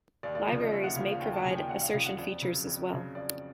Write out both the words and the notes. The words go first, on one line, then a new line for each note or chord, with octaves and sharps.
Libraries may provide assertion features as well.
D#2 D5
D5
C#3 F3 D5
D#5
D#2 E5
F#5
C#3 F3 F5
F5
D#2 G5
A5
C#3 F3 G#5
G5
D#2 F#5
F5
C#3 F3 F5
F#5
F2 D5
C#3 F#3
F2
C#3 F#3
F2 D5